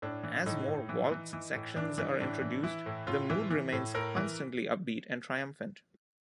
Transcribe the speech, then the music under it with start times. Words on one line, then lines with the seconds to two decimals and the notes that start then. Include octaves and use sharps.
As more waltz sections are introduced, the mood remains constantly upbeat and triumphant.
0.02 A2 D4
0.24 E3
0.46 A2 D#4
0.68 A2
0.89 E3
1.11 E3
1.33 E3
1.55 A2
1.76 E3 D4
1.98 E3
2.20 A2 D4
2.41 E3
2.63 E3 E4
2.86 A2
3.07 A2 F4
3.30 E3
3.50 E3
3.72 A2
3.94 A2 A#4
4.17 E3